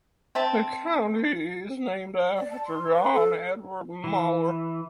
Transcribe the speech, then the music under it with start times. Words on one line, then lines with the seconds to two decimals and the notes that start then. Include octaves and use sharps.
The county is named after John Edward Mower.
0.35 C4 E5 A5
2.37 D5
2.51 A5
2.65 C6
2.93 B4
3.13 A4
4.04 E3